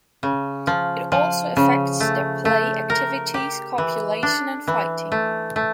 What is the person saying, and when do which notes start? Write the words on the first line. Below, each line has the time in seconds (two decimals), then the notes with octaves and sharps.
It also affects their play activities, copulation, and fighting.
0.23 C#3
0.67 F3
1.12 F3
1.57 C#3
2.00 A3
2.45 A3
2.90 A#4
3.34 G4
3.78 E3
4.23 D4
4.67 E3
5.12 A3
5.56 A3